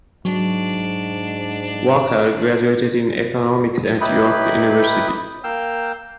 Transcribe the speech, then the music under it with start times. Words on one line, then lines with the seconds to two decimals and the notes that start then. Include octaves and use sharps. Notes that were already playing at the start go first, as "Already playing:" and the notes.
Walker graduated in Economics at York University.
0.25 G#2 F#3 D4
4.01 D#4 E4 G4 B4 B5
5.44 A#3 F5 G5 E6